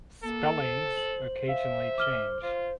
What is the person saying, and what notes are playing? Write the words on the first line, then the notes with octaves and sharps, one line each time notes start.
Spellings occasionally change.
A#3 A4
C5
F#7
E5 F5
D6 F6 G7
F4 C5